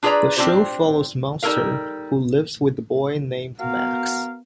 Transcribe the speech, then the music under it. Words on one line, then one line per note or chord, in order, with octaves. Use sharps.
The show follows Monster who lives with a boy named Max.
D4 F4 G#4 B4 D5 A#5
C4 D4 F4 G4 C5
G3 D#4 E4 A4 A#4 F5
B3 F#4 A#4 F5